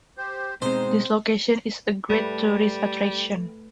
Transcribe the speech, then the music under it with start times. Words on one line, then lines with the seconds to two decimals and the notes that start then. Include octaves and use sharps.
This location is a great tourist attraction.
0.18 G4 C5
0.62 B2 G#3 C4 D#4 C5
2.10 G3 A3 B4